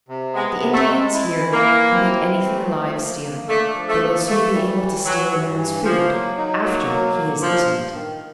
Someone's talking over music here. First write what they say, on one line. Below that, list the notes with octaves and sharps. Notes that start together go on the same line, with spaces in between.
The Indians here can beat anything alive stealing. They will soon be able to steal a man's food after he has eaten it.
C3
G#3 B3
C3
A3
G#3
E4
E3
A#3
E4
C4
E3
A3
F3
A#3
A#3
A3 D4
F3
A3
A#3
E3 A3
G3
E3
E3 F#3
G2
E3
F3 A#3
F#3
D#4
F#3 A#3
F#3
A#3
G2 F3
G2
D#3